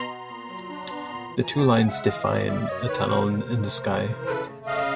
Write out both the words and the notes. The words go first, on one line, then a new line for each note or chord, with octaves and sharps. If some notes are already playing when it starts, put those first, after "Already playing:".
The two lines define a "tunnel in the sky".
Already playing: B2 A#5 C6
B3
A#2
F#3
D4
B3
A#2
E3
F2 G#5 A#5
G5 A5
C#3
F#5 G#5
G#3 E5 F#5
E3 D#5 F5
F2 D5 E5
G3 D5 E5
F#2 C#5 D#5
D#3 B4 C#5
F#2 A#4 C5
G3
F#2
A3
C#3
E3
C#3 A4 B4
A3
C#3 D#5 F5